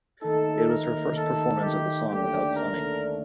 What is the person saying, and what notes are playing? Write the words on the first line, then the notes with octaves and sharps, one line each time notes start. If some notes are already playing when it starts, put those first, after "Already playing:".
It was her first performance of the song without Sonny.
D#2 D#3 A3 D#4 A4
A#4
A4
G4
D#2 D3 A3 D4 G4
A#4